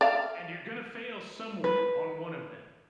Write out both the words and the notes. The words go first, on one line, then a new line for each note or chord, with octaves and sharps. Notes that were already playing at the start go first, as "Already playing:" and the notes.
And you're gonna fail somewhere on one of them.
D5 E5 F5
B4